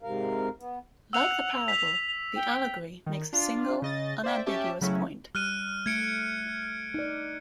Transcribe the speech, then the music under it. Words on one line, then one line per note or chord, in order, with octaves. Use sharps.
Like the parable, the allegory makes a single, unambiguous point.
G#2 C3 A#4 F5
B3
F#5 E6 F7
B6 F7
G5
D#3
D4 F4
C#3 D#5 A6
C5 D5 E5 G5
C#4 G4 E5 A5
C#3 F#3 A3 C#4 E4
G3 F6 F#6 D#7
A3 G#6 C#7 D7
D#4 D5